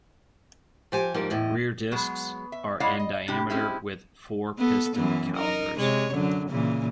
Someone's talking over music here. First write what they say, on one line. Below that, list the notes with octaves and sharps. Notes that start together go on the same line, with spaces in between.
Rear discs are in diameter with four-piston calipers.
F3 G4 G#5
G#2 F3 G3 A#3
E2 A2 D#5
F#3 G#3 B3
E5
G#3 E4 C#5 D5 F5 F#5
D#5
C3 D4 E4 G4
G#3 C4 C#4 E4 G4
B3 A4
F#2 E3 B3
D#4 A#4
C3 G#3 C#5
F#2 D3 F#3
A#2 C#3 E3